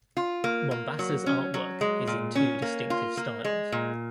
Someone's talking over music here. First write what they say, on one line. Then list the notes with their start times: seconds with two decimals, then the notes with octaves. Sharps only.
Mombassa's artwork is in two distinctive styles.
0.17 F4
0.44 A#3
0.71 A#3
0.99 F#3
1.26 C#4
1.54 F#3
1.81 G#3
2.07 A#2
2.35 C#4
2.62 A#3
2.90 F4
3.17 A#3
3.45 G#3
3.72 A#2